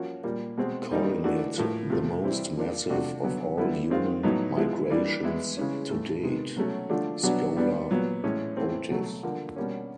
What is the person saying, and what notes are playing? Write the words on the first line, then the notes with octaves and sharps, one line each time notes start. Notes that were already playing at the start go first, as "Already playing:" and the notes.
Calling it the "most massive of all human migrations to date," scholar Otis.
Already playing: F3 A#3 C#4 F#4
A#2 G3 A#3
B2 G#3 C4
D#3 G3 A#3 D#4
E3 A3 D4 F#4
A2 F3 A#3
C3 F3 A3
E3 G3 C4 E4
F3 A#3 D4 F4
C3 F3 A3 D4 F#4
D3 F#3 B3
D3 G3 B3 E4
D#3 G#3 C4 F4
A2 F#3 B3 D#4
F3 G#3 B3 E4
E3 G3 A#3 D4
E3 G#3 B3 E4
C#3 E3 G#3 C#4
A2 E3 A3
C3 D#3 G#3 B3
B2 F#3 A3 C#4 F#4
D3 F3 A3 D4
B2 F#3 B3 D4 F#4
G3 B3 D4
A#2 F#3 B3
A2 E3 G#3 C#4 E4
E3 A3 C4
B2 F#3 A3
D3 F3 A#3
B2 G3 A#3 C#4